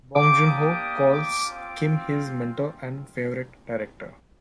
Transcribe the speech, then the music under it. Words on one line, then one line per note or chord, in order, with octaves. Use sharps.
Bong Joon-ho calls Kim his mentor and favorite director.
A#3 D4 G4 D6
D#6
D6
C4 F4